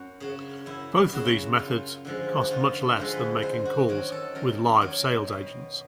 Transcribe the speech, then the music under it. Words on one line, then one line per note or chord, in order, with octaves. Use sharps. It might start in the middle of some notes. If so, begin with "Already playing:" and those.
Both of these methods cost much less than making calls with live sales agents.
Already playing: F#2 F#4
C#3 F#3
F#2 E4
C#3 F#3 F#4
F#2 F4
D3 F3 G#3
F#4
F#2 F4
F4
D3 F3 G#3
B4
F#2 C5
F#4
D#3 F#3
A4
F#2 A#4
D#3 F#3
B2